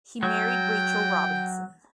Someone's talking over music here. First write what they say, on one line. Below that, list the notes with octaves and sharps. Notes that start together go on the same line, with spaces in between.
He married Rachel Robinson.
F#3 G5